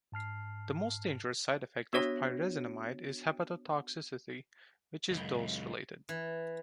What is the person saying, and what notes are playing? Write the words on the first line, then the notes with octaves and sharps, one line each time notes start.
The most dangerous side effect of pyrazinamide is hepatotoxicity, which is dose related.
G#2 A5 F6 C7
B3 D4 F#4 C#5 A#6
C#2 F#2
E3